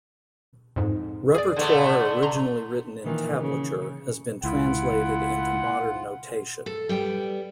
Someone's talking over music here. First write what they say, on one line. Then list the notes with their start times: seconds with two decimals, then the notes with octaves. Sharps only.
Repertoire originally written in tablature has been translated into modern notation.
0.76 F2 G#2
1.35 G#4 D5
1.56 D3 A3 B3
2.23 A#5 C6
3.04 A#2 D#3 E3
3.39 C#3
4.44 C#2 E4 F4 F#5
6.66 A4
6.89 G3 B3 G5